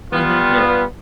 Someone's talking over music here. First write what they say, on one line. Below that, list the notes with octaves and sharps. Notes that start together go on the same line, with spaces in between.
Mhm, yeah.
G3 B3 F4